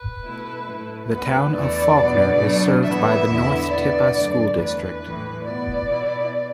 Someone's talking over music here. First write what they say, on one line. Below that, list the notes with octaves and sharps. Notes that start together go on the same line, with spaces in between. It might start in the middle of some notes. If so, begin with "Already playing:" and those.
The Town of Falkner is served by the North Tippah School District.
Already playing: B4
B2 A3 E4
A2 A3 E4
D2 D3 B3 B4
E2 E3 A3 E4 D5
B2 B3 D4
B2 F#3 A3 D4
A2 E3 B3 E4 E5
E2 D3 B3 E4
B2 B3 D4 D5
F#2 D3 A3 D4
E2 E3 A3 B4
A2 E3 A3
B2 B3 E4 D5
B2 B3 E4